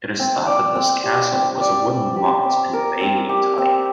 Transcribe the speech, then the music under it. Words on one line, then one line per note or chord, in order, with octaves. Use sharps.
It is thought that this castle was a wooden motte and bailey type.
C4
D5
C4
G4
C4
D5
C4
G4
C4
A#4
C4
G4
C4